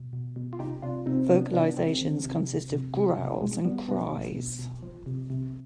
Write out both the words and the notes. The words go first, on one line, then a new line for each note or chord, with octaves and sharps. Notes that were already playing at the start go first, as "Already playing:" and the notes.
Vocalizations consist of growls and cries.
Already playing: B2
B2
B2
F4
C3 D#4 G4
C3 D4 F4
C3 C4 D#4
C3 B3 D4
C3 B3 D4
C3 G#3 C4
D#3
C3
C3
C3
C3
C3
B2 G#3
B2 G3 B3
B2 B3 D4
B2
B2
B2
F3
C3
C3